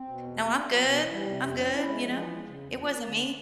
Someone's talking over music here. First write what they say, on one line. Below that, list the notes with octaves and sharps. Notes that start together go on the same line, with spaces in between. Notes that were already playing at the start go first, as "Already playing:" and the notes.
"No, I'm good, I'm good, you know? It wasn't me."
Already playing: C4
B2
E2
A#3
D4
F#3
B2
E3
G3
C3
F2
C#4
E4
G#3
F3
E3
G#3
C#3
E2
F3
A#3
D3